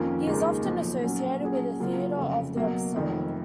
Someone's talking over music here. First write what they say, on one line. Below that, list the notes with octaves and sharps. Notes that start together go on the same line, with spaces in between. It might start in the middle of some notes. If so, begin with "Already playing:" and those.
He is often associated with the Theatre of the Absurd.
Already playing: F2 D#3 A#3 C#4 F4
D#2 C#3 G#3 D#4 A#4
B1 A#2 F3
B1 A#2 F#3 C#4
A#2 F#3 C#4 G#4
C#3 F#3 A#3 F4
F1 F2 C#3
B2 F#3 A#3
F1 F2 D#3